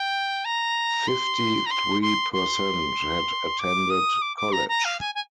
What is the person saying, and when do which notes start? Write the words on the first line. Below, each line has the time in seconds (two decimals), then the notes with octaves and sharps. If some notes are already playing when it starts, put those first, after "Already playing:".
Fifty-three percent had attended college.
Already playing: G5
0.44 A#5
1.07 C6
1.66 A#5
1.70 C6
2.02 C6
2.32 C6
3.59 D6
3.90 D#6
4.21 D6
4.36 D6
4.52 A#5
4.68 A#5
4.84 F5
5.00 G#5
5.14 G#5